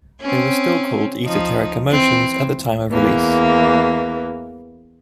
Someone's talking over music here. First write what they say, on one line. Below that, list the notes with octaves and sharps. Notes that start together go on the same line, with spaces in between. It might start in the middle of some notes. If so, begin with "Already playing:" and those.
They were still called Esoteric Emotions at the time of release.
C4 C#4
F3 D#4
E3 C4
E2 E3 A#3